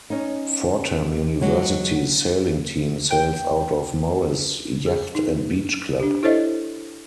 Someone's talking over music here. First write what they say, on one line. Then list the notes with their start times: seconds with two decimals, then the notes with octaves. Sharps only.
Fordham University's Sailing Team sails out of Morris Yacht and Beach Club.
0.10 C#4 D#4
1.41 F#3 G#3
3.11 G5
4.86 G#4
5.15 D#4
6.00 D4 G4
6.23 E4 A4 C5 C#5 D#5 E5